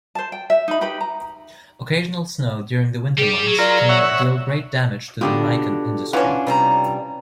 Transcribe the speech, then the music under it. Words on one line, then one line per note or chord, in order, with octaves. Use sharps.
Occasional snow during the winter months can deal great damage to the mikan industry.
C5 A5
G5
E5
D#4 B5
D#4 G4 B4 B5
A#5
G3 G4 G#4
F#3
F4 A#4 D5
C#5 E5 F#5
B2 D3 D4 F4 G4 A4
E3 C#4 D4 F4 F#5 G#5 C#6
C3 G3 B4 A#5